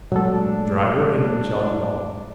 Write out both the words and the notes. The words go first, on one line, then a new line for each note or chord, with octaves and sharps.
Driver in John Long's.
A#2 F#3 G#3 A3 D4 A4